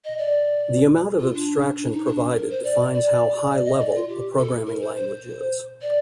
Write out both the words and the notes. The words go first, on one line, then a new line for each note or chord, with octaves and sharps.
The amount of abstraction provided defines how "high-level" a programming language is.
D#5
D5
F4
D4
D4
D#4
D4
A#4
C5
D5
D5
D5
D#5
D5
F4
G4
A4
A#4
C5
C5
D5